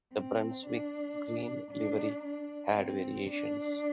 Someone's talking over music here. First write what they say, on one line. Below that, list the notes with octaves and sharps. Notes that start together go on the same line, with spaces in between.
The Brunswick green livery had variations.
C4
D4
D4
D4
C4
D4